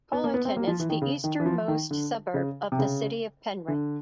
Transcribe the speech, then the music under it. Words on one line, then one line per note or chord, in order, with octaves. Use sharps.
Colyton is the easternmost suburb of the City of Penrith.
B3
A#3
B3
C4
A#3
F3
E3
D#3
C#3
D#3
E3
F3
D#3
D3
C#3
C3
C#3
D3